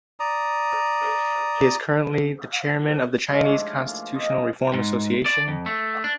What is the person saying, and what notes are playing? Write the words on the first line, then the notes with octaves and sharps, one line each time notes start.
He is currently the chairman of the Chinese Constitutional Reform Association.
D5 A#5 D#6
G#2 C3 F4 F5
A2 F3 C#4 D4
A#3
F4 D#5
G#2
D5
F2
A3
D4